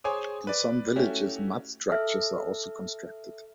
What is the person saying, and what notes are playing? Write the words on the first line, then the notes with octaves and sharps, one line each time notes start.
In some villages mud structures are also constructed.
G#4 C5 C#5 G#5 D6 D#6
B4 D5
A3 C#4 E4 F#4 G4
A4 E5 F6